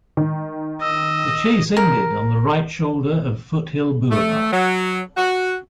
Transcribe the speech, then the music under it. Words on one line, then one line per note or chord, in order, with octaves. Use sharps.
The chase ended on the right shoulder of Foothill Boulevard.
D#3
D#5 E6
A#4
A3
F#3
F#4